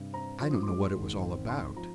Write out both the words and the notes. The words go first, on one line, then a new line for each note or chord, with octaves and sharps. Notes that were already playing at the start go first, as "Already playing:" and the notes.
I don't know what it was all about.
Already playing: G2 C3
C4 A#5
F3 C6
D#6
D6
C6
G#3 D6
C6
G#1
C4
G#2 C6
F3 A#5